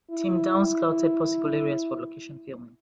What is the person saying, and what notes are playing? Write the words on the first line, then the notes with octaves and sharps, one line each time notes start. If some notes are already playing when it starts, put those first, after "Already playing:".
Tim Downs scouted possible areas for location filming.
E4